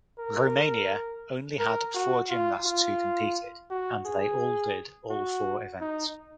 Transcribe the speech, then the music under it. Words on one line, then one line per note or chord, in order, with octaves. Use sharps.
Romania only had four gymnasts who competed and they all did all four events.
A#4
A#4
F#4
F4
F4
F#4
G#4
F#4
D#4